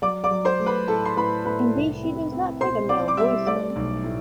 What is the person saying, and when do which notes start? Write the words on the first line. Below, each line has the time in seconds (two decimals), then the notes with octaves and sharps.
In these she does not take a male voice though.
0.02 F#3 D5 D6
0.24 D5 D6
0.31 F#3
0.45 C5 C6
0.60 A3
0.66 B4 B5
0.88 A2 A4 A5
1.05 C6
1.17 A2 B4 B5
1.45 A2 B4 B5
1.74 C2
2.03 C4
2.32 C4
2.61 B2 C5 C6
2.89 C4 D5 D6
3.08 D6
3.17 G3 E5 E6
3.46 A3 D5 D6
3.76 B1
4.04 A2